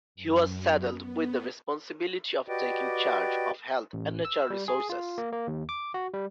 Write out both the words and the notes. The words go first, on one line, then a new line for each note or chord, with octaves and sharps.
He was saddled with the responsibility of taking charge of Health and Natural Resources.
F#2
B3
F#4 G4 B4 D5 D#5 G5
A1
E6
G3
G#4
F4
A#3
A#3
D#2
D6
F#4
G3